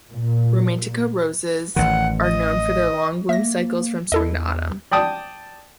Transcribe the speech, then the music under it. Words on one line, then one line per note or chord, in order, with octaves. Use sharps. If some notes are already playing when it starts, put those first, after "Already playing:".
Romantica roses are known for their long bloom cycles from spring to autumn.
A#2
A1 D#3 F#5
D#5
A#3 E5 A#6
E2 E4 A4 D#5
D5 G5 A5 D#6